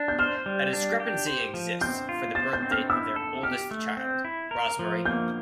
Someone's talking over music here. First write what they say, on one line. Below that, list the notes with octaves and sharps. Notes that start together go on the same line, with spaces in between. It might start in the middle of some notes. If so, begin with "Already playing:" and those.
A discrepancy exists for the birth date of their oldest child, Rosmarie.
Already playing: D4
G6
C5 F6
G3
D4
G4
C5
F3
C4 G6
F4
C5 A6
G6
C4
F6
E4 E6
A4
G4 F6
A3
C4
E4
A#4
F3
A#3 G6